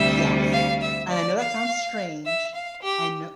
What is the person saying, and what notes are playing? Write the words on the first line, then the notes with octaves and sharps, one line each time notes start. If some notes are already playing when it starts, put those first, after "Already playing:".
Yes, and I know that sounds strange, I kn
Already playing: D2 C3 G3 E5
F5
E5
D5
F5
E5
F5
G4